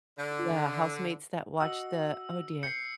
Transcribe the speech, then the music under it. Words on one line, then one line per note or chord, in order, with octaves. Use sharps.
yeah, housemates that watched the oh dear,
D3
F#4 D#5 E6
G6 C7 C#7